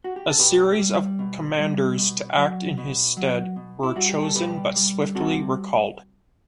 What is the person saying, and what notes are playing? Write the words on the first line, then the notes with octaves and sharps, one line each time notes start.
A series of commanders to act in his stead were chosen but swiftly recalled.
F#4
G4
A4
B2 G4 B4
G3
B2
G3
B2
F#3
B2
F#3
B2
E4
G3 F#4
G4
A4
B2 G4 B4
G3
C3 F#4 A4